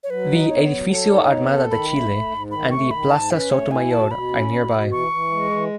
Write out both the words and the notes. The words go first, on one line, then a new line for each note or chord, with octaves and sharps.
The Edificio Armada de Chile and the Plaza Sotomayor are nearby.
C#5
F#3 B4
D#4
B3 C#5
F#3
A4 C#5
D#4
B3
A4
D#3 B5
A3
A3
G#2
D#3 B5
A3 C#6
D#3 B5
G#2 A5
C#4 B4
A3 C#5
E4 G#5
B2 A5
B2 B5
C#4
B2
B2
E3 C#6
E3
G#3
E3